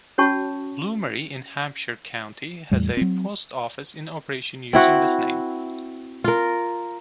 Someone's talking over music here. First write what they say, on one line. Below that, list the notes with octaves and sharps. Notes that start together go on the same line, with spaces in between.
Bloomery in Hampshire County has a post office in operation using this name.
C#4 F#4 C#5 A5 C#6
E2 A2 G3
F#3 C4
C4 E4 F#4
F4 A#4